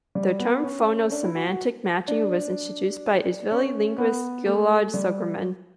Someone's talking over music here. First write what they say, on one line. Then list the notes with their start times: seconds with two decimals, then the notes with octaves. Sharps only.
The term "phono-semantic matching" was introduced by Israeli linguist Ghil'ad Zuckermann.
0.15 G3
0.39 B3
0.64 C#4
1.12 D4
1.23 E4
1.35 F#4
1.47 F#4
2.08 D4
3.51 C#4
3.98 B3
4.46 A3
4.94 G3